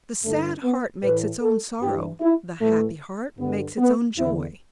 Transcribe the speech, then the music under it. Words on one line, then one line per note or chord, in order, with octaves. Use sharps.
The sad heart makes its own sorrow, the happy heart makes its own joy.
G2 D3 A3
B3
A2 E3 B4
A4
G2 E3 G4
E4
A2 E3 A3
G2 D3 B3
B3
E2 D3 E4